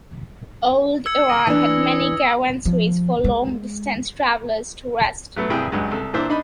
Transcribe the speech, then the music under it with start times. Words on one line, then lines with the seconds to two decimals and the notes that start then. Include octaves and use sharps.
Old Iran had many Caravanserais for long distance travelers to rest.
1.06 E6 G#6 C#7
1.29 D#6 A#6 G7
1.47 E3 D4
2.65 F3
3.24 G#3
5.36 F#3 A3 B3
5.50 C2 G2 D4 E4 G#4 G5
5.72 C#2 G2 F#3 G#3
5.91 C2 A4
6.14 A#2 E3 D4 C5 E5 A#5
6.30 D4 D#4 D#5 B5